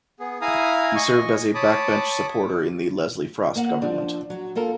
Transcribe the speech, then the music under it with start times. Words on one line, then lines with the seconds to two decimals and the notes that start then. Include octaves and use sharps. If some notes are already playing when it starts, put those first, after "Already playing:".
He served as a backbench supporter in the Leslie Frost Government.
0.20 B3 G#4
0.41 E4 F5 G#5 A#5 D#6
0.95 D#5 G#5 C#6
1.55 C#5 A5 B5 D6 D#6
3.56 A#3 F#5
3.82 F3 D4
4.30 F#3
4.55 A#3 F4 A4 A#4